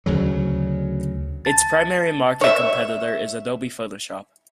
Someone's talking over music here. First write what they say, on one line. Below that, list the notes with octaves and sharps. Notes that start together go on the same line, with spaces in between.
Its primary market competitor is Adobe Photoshop.
D2 C#3 F#3
A5 A6
C#5 E5